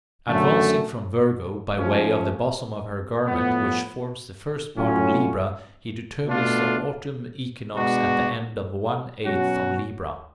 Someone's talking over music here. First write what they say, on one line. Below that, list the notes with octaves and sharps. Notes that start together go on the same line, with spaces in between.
Advancing from Virgo by way of the bosom of her garment, which forms the first part of Libra, he determines the autumn equinox at the end of one eighth of Libra.
F#2 D3 F#3 A3
F3 A3 C#4
A2 F3 B3
A2 F#3 C#4 F4
B2 A3 D4 F4
B2 G#3 B3 D4 F#4
B2 F#3 C#4 F#4